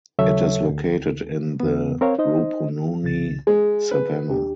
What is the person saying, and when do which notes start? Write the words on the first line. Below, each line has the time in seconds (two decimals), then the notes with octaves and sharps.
It is located in the Rupununi savannah.
0.19 D#2 C#3 F#3 A4 C#5 E5
0.69 D2
1.60 E2 B3
2.01 C4 A#4 C#5 F5
2.19 D#4 C5 D#5
3.04 C2 C#3 A6
3.47 G#3 G#4
3.91 B4
4.29 D#2 D4 G4